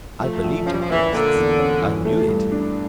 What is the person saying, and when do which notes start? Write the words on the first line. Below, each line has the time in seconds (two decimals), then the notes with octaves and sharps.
I believed in her innocence; I knew it.
0.20 F3 A3
0.44 A#1
0.66 F3 C#4
0.73 G3
0.80 F3
0.89 A#2 E3
1.13 D3 A#3
1.35 E2
1.59 C#4
1.82 E3
2.05 A3
2.28 G2
2.52 D4